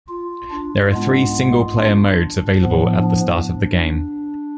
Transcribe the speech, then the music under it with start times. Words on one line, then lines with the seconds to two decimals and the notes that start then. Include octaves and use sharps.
There are three Single Player modes available at the start of the game.
0.09 F4
0.51 D4
0.93 G#2 G#3 B3 F4
1.77 D4
2.61 A2 F3 B3
3.03 D4